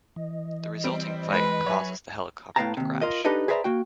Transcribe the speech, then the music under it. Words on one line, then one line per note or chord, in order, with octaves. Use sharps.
The resulting fight causes the helicopter to crash.
E3 D#5
G3 C4 D7
G#3 B4
F#3 C#5 E5 G#5 F#6
A2 B3 F5 G5 A5 A#5
D#2 C3
F4 A#4 D#5
D4 D#4 G4 A4 B4 D#5
G#4 B4 C5 D5 E5 A#5
A#3 F#4 G5